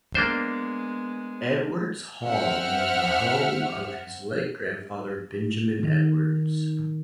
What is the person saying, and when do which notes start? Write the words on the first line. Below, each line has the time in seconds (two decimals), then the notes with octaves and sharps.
"Edwards Hall" was the home of his late grandfather, Benjamin Edwards.
0.15 G#3 A#3 B3 D4 C5
2.25 C4 E5 F#5 F6
5.83 D#3